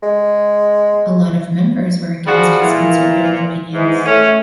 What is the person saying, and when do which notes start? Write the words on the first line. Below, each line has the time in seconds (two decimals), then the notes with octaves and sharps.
A lot of members were against his conservative opinions.
0.03 G#3
2.27 F3 G3 F#4 G#4
2.61 A#2 E3
3.73 G#2 E3
4.06 A3 C#4